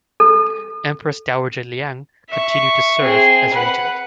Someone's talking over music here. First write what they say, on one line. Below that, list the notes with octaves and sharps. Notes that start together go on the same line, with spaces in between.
Empress Dowager Liang continued to serve as regent.
A4
E5 C#6
C4 G#4
B4 F#5